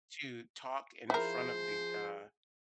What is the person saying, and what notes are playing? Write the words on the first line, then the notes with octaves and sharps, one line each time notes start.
to talk in front of the, uh
F3 E4 G#4 A#4 C5